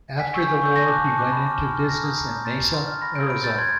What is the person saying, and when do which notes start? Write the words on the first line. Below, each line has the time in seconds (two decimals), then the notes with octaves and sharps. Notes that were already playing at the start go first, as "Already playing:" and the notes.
After the war, he went into business in Mesa, Arizona.
0.20 G#5 B6
0.34 C#6 E6 G6
0.48 G#5
0.62 C#6 E6 G6
0.76 A5 A#6
0.90 D6 F#6
1.04 A5
1.18 D6 F#6
1.32 B5
1.46 D6 F6
1.61 B5
1.75 D6 F6
1.89 A#5 A#6
2.03 D#6 G6
2.17 A#5
2.32 D#6 G6
2.45 C6 A6
2.60 F6
2.74 C6
2.88 F6
3.02 B5 A#6
3.15 E6 G6 D7
3.30 B5 D7
3.44 E6 G6 A6
3.58 C6 G#6